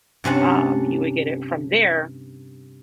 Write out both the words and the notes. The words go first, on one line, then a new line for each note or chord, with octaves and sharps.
um, you would get it from there
G2 C3 C#4 F#5 A5